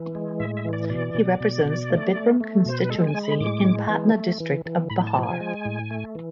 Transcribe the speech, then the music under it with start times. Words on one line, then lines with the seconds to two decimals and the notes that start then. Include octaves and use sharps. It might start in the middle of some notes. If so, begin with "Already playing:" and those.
He represents the Bikram constituency in Patna district of Bihar.
Already playing: E3
0.15 G#3
0.40 A2 E5
0.57 E5
0.65 E3
0.73 D5
0.89 B2 D5
1.14 B2
1.40 B2
1.65 B2
1.90 A3
2.15 A3
2.41 A3
2.66 B2 C5
2.79 B4
2.90 G#3 A4
3.07 G#5
3.15 G#3
3.23 B5
3.40 A2 D6
3.65 G#3
3.89 E3
4.15 A3
4.40 E3
4.66 E3
4.90 A2 B5
5.07 A5
5.16 F3
5.23 G#5
5.40 G#3
5.65 A2
5.91 A3
6.15 E3